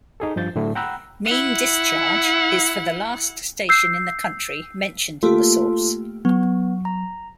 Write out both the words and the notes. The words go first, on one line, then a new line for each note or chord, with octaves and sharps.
Mean discharge is for the last station in the country mentioned in the source.
D#4 G#4 A4
G2 F3 G6 A6
A2 D3 F#3 A3 E4
F#5 G5 A#5 B5 E6 F#6
E4 F#5
E6 G6 C7
A3 A#3 F4 G4 A4
F#3 B3
A#5